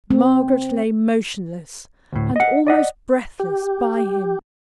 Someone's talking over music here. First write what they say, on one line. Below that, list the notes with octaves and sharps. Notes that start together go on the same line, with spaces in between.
Margaret lay motionless, and almost breathless by him.
C4
D2 A2
D#5 F#5
D5 D#5 F#5
G4